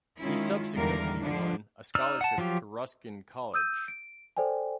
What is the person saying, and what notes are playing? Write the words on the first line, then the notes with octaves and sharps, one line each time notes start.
He subsequently won a scholarship to Ruskin College.
D#3 G#3 C#4 E4 F4
E2 D3 D#3 G3 A#4 F5
D3 F3 G3 D4
D#4 D5 E6 F6
F#5 A5
F3 F#3 F4 G4
D#6 E6 G6 D#7
D7
A4 C5 D5 G5 G#5